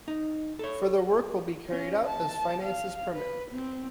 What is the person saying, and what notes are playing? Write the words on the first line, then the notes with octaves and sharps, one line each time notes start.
Further work will be carried out as finances permit.
D#4
A4 C#5
C#4
A5
F5
B4
C4